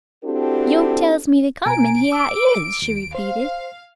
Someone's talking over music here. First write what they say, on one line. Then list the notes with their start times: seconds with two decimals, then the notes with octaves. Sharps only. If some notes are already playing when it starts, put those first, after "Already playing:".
"Yo' tells me to come, an' here I is," she repeated.
0.24 C4 D4 E4 F#4 G4 A4
1.66 B2 G#5 A#5 D7
2.12 D6 E6
2.82 D#2
3.15 C5 F5